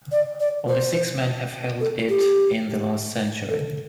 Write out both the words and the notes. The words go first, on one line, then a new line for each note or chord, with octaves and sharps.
Only six men have held it in the last century.
D5
D5
C5
A4
G4
A4